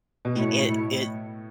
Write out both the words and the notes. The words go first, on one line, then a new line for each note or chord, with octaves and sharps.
it it
B2
A2 A3 E4 C#5